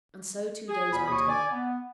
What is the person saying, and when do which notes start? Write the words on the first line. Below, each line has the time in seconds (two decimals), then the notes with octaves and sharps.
And so two days went on.
0.69 G#4
0.92 E2 B2 G3 G#5 B5
1.08 D#2 B2 A#3 G#4 C#6 D#6
1.29 D5 G#5
1.52 B3